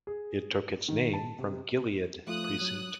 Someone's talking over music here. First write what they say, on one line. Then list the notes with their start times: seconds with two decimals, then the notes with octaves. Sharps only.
It took its name from Gilead Precinct.
0.07 G#4
0.88 D#3
1.13 A5
1.38 C3
2.27 F3 A3 F4 D#6 F#6
2.61 F#3